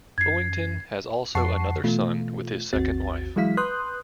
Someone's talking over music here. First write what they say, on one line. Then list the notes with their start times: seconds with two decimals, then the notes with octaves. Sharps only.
Fullington has also another son with his second wife.
0.18 F#2 G#6 C7
1.35 F2 F#5 A5 C#6 C7
1.84 B2 E3 A3 F4
2.73 G#1 D#2 C4 F#4 A6
3.36 E3 F#3 G#3 E4 F5 B6
3.57 B4 C6 D#6 F#6 G6